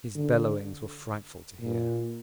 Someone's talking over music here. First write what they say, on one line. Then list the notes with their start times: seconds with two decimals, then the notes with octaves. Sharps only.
His bellowings were frightful to hear.
0.15 D3
1.60 A#2